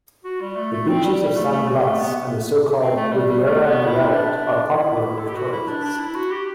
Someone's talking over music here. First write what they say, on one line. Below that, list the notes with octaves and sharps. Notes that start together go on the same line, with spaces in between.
The beaches of San Blas and the so-called "Riviera Nayarit" are popular with tourists.
F#4
G3
A3
A3
C4
G3
G3
A3
A3
G3
A3
B3
C4
A3
G3
G3
A3
B3
E4
D4
E4
A4
G4
F#4
E4
D4
D4
E4
F#4
G4